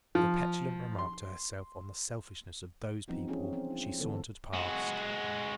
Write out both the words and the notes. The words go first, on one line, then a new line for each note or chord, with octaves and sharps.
With a petulant remark to herself on the selfishness of "those people," she sauntered past.
F3
C6
E3 F3 G3 B3 C4 D#4
C4 C#4 F4 G#4
C4
E4
D3 E3 G#3 B3 F4 A4
G#3 F#4